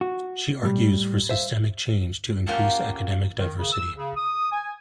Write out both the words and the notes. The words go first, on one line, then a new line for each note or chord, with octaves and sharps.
She argues for systemic change to increase academic diversity.
F#4
A2 G3
C5 E5 F5
A#3 C#4 F4 G4 F#5 A5
D#3
C#3
E6
C#3
D#6
G#5